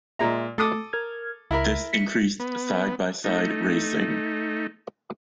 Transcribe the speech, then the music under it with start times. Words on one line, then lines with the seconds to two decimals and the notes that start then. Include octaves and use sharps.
This increased side-by-side racing.
0.19 A#2 G#3 E5 A#5
0.58 A3 A4 D6 D#6
0.93 A#4 F6 G#6
1.51 C#2 E4 A#4 B5
1.93 B6 C#7
2.40 B3
3.24 A3 D#4